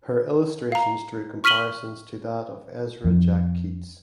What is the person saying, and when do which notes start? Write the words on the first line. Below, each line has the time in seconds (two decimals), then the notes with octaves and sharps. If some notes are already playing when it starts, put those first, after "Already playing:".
Her illustrations drew comparisons to that of Ezra Jack Keats.
0.72 F5 A#5
1.44 C#6 F6 B6 D#7 F#7 G7
3.04 F2 F3